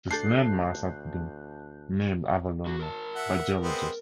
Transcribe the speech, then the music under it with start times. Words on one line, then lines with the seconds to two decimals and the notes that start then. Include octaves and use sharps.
This land-mass has been named Avalonia by geologists.
0.11 D2 D4 A4 A5 F#6 G6 C7
2.66 D3 F#4
2.79 A#4 A5
3.16 E5 F#5
3.61 G#3 B3 C4